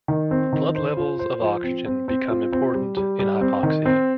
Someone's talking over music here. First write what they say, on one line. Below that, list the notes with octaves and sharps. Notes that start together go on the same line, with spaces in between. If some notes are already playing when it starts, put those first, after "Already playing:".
Blood levels of oxygen become important in hypoxia.
D#3
C4
D#3
C5
F4
C5
F3
C4
C4
C4
F4
C4
G3
G3
G3
C4
D#3
C4